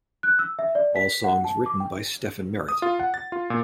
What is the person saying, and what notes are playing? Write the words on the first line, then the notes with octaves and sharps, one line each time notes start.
All songs written by Stephin Merritt.
F#6
E6
E5
D5
B6
F#5
A5
D6
G5
D#6
F4
F#5
A6
F4
A#2